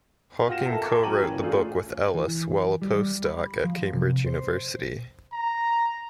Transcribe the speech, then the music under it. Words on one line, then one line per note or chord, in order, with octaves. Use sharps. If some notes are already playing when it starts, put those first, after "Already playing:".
Hawking co-wrote the book with Ellis, while a post doc at Cambridge University.
F4 G4 F#5 F6 A#6 E7
A4 A#4 E5 A5
A5 A#5 C#6 D6 G#6
F#3 G5 A#5 D#7 F#7
E3 A#3 C#4
A3 C#4 D4 F4 G#4
E3
G3
B5
F3
C3
C5
A#5